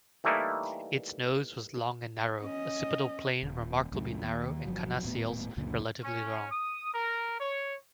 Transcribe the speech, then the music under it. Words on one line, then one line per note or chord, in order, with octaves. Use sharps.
Its nose was long and narrow, occipital plane remarkably narrow and carnassials relatively long.
E3 G3 A3 A#3 D#4 E4
C#4 D#5
D#1
C#2 F#2 A2
D#2
G1 F3 F#3
D#1 A2 B3
C#2 F#2 A#2 D3
C#4
D#6
A#4
C#5